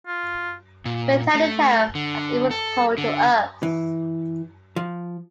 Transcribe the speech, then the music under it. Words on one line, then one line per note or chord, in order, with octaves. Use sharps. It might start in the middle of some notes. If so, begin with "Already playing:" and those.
We tell the tale as it was told to us.
F4
A#2
A3
D3
A4
D3
E3
F3